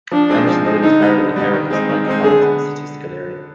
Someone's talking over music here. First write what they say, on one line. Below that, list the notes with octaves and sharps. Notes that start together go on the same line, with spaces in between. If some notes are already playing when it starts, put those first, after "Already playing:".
Andersonville is part of the Americus Micropolitan Statistical Area.
F3 D4
G#3 C4 D#4
F3
G#3 C4 D#4
D3 D#4
G3 B3 D#4
D3
G3 B3 D#4
D#3
G#3 C4 D#4
D#3
G#3 C4 D#4
D3 G#4
B3